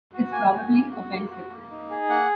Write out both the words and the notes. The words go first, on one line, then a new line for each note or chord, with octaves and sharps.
It's probably offensive.
F#4
A#3 G#5
F#4
A#3
F#4
A#3
F#4
A#3
D#4
G#4
A#3 F#5